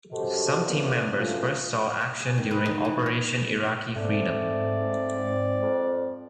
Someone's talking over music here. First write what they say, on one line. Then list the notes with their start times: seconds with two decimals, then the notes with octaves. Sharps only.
Some team members first saw action during Operation Iraqi Freedom.
0.12 F#2 F#4 G4 A4 C5 D#5
0.65 D3 F3 A#3 B3 C#4 E4
1.17 F#3 A3 A#3 C#4 F4
2.01 E5
2.20 G#4
2.38 D#3
2.51 B4
2.65 D#4
2.85 E3
3.06 C#5
3.96 G#2 A3 C4 D5
5.62 F2